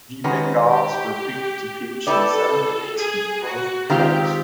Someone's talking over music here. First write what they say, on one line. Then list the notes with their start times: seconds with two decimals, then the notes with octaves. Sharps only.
The Bengals were picked to finish in seventh place in both polls.
0.24 D#3 G#3 C#4 F#4 B4
0.70 G4
2.07 B3 E4 G4 A4 B4 D5
2.98 G#4
3.44 F#4
3.90 D#3 G#3 C4 F4 G4